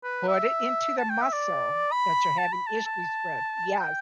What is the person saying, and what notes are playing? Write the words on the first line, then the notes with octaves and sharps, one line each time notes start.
put it into the muscle that you're having issues with, yes.
B4
E5
A5
G5
E5
D5
B5
A5
B5
A5
A5
G5